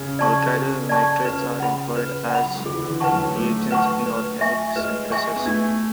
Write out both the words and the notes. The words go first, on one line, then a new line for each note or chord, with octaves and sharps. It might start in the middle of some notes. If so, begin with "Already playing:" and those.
Alkyl nitrates are employed as reagents in organic synthesis.
Already playing: C#3
D5 A5 C#6
A4
D5 A5 C#6
C#3 B4
F#5 B5
B4
F#5 B5
D3 G#4
E3
D3
E3
B4 F#5 A5 C#6
F#3
A3 G#4
B4 F#5 A5 C#6
B4
E5 G#5 C#6
G#3 B4
E5 G#5 C#6
B3
A3 D4